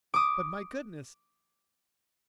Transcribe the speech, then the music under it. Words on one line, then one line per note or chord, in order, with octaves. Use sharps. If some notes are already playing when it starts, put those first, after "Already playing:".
But, my goodness!
D6 D#6